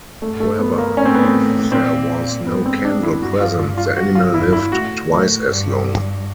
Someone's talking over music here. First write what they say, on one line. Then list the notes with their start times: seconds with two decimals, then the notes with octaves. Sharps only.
However, if there was no candle present the animal lived twice as long.
0.22 G2 A3
0.40 A3
0.59 B3
0.78 A#3
0.97 A2 C#4
1.05 C4
1.14 B3
1.23 C4
1.72 A#2 C4
2.47 G#2 B3
2.66 C4
2.84 D4
3.03 E4
3.22 G2 F#4
3.40 F4
3.59 F4
3.78 F4
3.97 G2 F#4
4.15 F4
4.34 E4
4.52 E4
4.72 A2 F#4
5.09 A2
5.47 G2